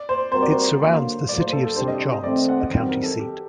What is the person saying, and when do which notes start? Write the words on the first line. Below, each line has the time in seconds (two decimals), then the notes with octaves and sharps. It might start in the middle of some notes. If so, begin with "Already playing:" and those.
It surrounds the city of Saint Johns, the county seat.
Already playing: D5
0.09 C5
0.32 G3 C4 F#4 A#4 C5
0.42 D5
0.51 C5
0.80 D3 F#3 A#3
1.28 A2 F#3 A#3 D5
1.40 C5
1.52 A4
1.64 A4
1.76 C3 G3 D4 G4 C5
1.88 D#5
1.99 D#5
2.13 D#5
2.23 D#3 A3 C4 D5
2.36 D#5
2.49 F#5
2.60 D#5
2.72 F#2 D#3 G3 C4
2.89 A#4
3.03 A4
3.19 G4